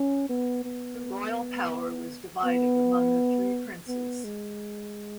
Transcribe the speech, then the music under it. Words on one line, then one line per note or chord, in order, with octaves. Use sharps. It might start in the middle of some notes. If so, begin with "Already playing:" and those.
The royal power was divided among the three princes.
Already playing: C#4
B3
B3
B3
B3
G#3